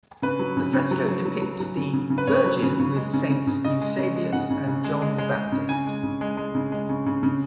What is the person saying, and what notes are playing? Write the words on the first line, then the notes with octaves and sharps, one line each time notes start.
The fresco depicts the "Virgin with Saints Eusebius and John the Baptist".
C#3 B4
F#3
C#3
C#3
F#3
F#3
F#3
F#3
F#3
C#3
C#3
C#3
B4
C#3 C#5
F#3
C#3
C#3
G#3
C#3
C#3
C#3
C#3 D#5
G#3
C#3
G#3
C#3 F#5
C#3
C#3
G#3
G#3
G#3
G#3
C#3
C#3 G#5
G#3
C#3
G#3
G#3
C#3
G#3
C#3
C#3
C#3